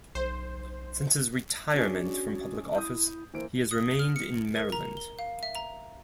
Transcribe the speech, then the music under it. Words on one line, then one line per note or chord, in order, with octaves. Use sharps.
Since his retirement from public office, he has remained in Maryland.
B1 C5
C#4 D4 F#4 G#4
E4 D#6 G6
E3 A#3 C5 D7
D#6
F6
C#7
A#4
A#5
G7
F5
E5
A#5